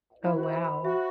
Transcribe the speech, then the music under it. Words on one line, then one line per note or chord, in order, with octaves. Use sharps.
Oh, wow.
E4 C5
F#4
C5
E4
B5
F#4 E5